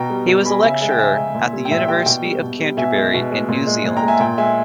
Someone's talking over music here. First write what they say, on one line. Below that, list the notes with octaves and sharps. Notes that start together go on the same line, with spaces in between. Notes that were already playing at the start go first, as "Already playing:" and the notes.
He was a lecturer at the University of Canterbury in New Zealand.
Already playing: B2 G5 A#5
G3
B2
G3 G#5 B5
C#3 E5 G#5
G#3 E5 G#5
G5
C#3 E5 G#5
G#3
A#2
G3
G5
A#2 E5
G3 G5
B2 G5
G3
B2
G3
B2 E5 G#5
G#3
B2
G#3
A#2
G#3
A#2
G5 A#5
G#3
E5 G#5
A#2 G5
G#3 E5 G#5